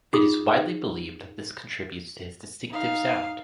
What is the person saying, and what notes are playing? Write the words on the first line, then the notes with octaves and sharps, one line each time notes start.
It is widely believed that this contributes to his distinctive sound.
D#4 F4 G#4 D#6
D#4 F5